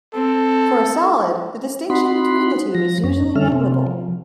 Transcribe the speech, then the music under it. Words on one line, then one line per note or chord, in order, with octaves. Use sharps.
For a solid, the distinction between the two is usually negligible.
C4 A4
C4 D#4 F#4 F#5 B5 C6
F3 A#6
F#2 C#4
D3 G3 C#4 A4 E5 F6
C3 C4
F3